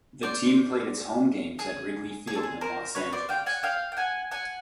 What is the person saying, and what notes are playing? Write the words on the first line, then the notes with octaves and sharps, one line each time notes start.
The team played its home games at Wrigley Field in Los Angeles.
C5 D5
G#4
G#4
A4
G#4
A#4 C5
B4 C#5
C5 D5
F5 G5
F#5 G#5
F5 G5
G5
F#5 G#5
F#5 G#5